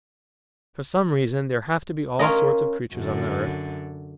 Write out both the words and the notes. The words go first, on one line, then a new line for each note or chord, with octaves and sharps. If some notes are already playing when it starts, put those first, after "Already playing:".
For some reason there have to be all sorts of creatures on the earth.
C#4 F4 A#4 D#5
F#2 D3